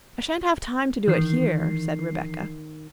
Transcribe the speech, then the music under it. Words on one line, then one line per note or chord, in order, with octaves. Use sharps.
"I shan't have time to do it here," said Rebecca.
D#3 E3 C7